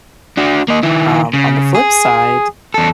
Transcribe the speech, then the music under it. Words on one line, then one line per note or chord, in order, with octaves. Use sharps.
um, on the flip side,
D4 F#4
A#3 D#5
D#3 E4
C#3
G#4
E2 A4